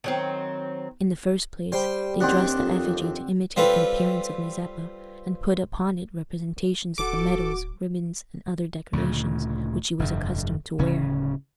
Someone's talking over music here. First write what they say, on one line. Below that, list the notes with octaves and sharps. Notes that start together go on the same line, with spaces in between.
In the first place, they dressed the effigy to imitate the appearance of Mazeppa, and put upon it representations of the medals, ribbons, and other decorations which he was accustomed to wear.
D#3 F#3 C4
G3 C5 G5 C6
F#1 D#2 D#3 C4 D4 D5 F#5
F2
G3 C4 F4 A4 B4
D1 F#4 A4 D6
D2 A#2 C#3
F1 G2 D3
D1 C#3 C#4